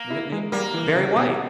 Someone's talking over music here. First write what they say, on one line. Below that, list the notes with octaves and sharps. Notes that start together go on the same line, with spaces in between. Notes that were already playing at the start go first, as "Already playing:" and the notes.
Whitney, Barry White.
Already playing: A#3
E4
G#3
G3 A#3
E3
C#3
B2